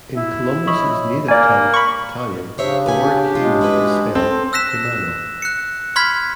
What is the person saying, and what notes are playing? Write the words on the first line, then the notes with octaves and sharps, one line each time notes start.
In Columbus' native tongue, Italian, the word cayman is spelled caimano.
E4
C#5 D#5 B5
A#3 D5 G#5
B5 C#6
C#3 C#4 D4 G4 C5 C#5 E5
B4 F#5 G#5
G#3 F4
E4 F#4 B4
C4 A4
E6 F#6 A#6 B6 E7
F#6 C#7
B5 C6 F6 G#6 B6